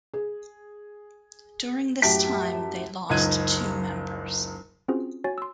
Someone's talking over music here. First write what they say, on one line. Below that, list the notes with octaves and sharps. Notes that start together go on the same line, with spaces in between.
During this time they lost two members.
G#4
F#2 A2 G4 A5 B6 D7
F#1 C#2 D#4 F#6 G#6 D#7
C4 C#4 F4 F#4 G#4 C5
F#4 C#5 G#5 A6
C6 E6